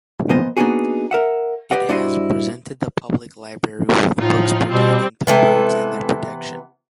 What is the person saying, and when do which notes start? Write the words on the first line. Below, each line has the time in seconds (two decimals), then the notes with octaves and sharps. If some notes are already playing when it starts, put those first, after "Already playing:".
It has presented the public library with books pertaining to birds and their protection.
0.29 A#2 F3 B3 C5 D#5
0.57 A#3 B3 D4 D#4 F#4 G#4
1.11 A#4 E5 F#5
1.71 G4 B4 D5 D#5 F#5
1.89 G2 D4 E4 F#4 C5 D#5
4.19 A2 F3 D#4 F4
4.70 B2 G3 C4
5.27 C3 E3 G#3 B3 A4